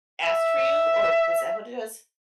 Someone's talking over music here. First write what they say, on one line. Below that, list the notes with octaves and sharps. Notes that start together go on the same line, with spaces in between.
asked for you? Or was that what it was?
E5